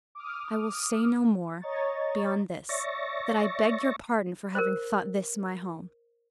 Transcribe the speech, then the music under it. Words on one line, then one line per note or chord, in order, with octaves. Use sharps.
I will say no more--beyond this, that I beg your pardon for having thought this my home.
D6 D#6 F6
C#5 D#5 A#5 C#6 A6
C#5 D5 E5 C#6 A6 A#6
A#4 C5